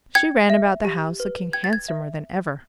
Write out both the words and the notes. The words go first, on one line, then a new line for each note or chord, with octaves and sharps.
She ran about the house looking handsomer than ever.
G5 G#6
E5
G4
B4
G5 G#6
A6
G#6
E5